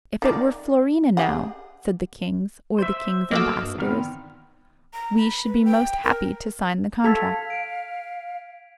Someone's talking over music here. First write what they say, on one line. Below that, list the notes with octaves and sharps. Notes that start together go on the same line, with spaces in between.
"If it were Florina, now," said the kings, or the kings' ambassadors, "we should be most happy to sign the contract."
D#3 D5
G4 G#4 F#5
C5 E5
A#3 F#4 A4 D#5 D6 F6
G2
A#2 D#3 B3 C4 F6
A#5
B5
B4
G5
A#4
A4 F5 G#6 B6 F7
D7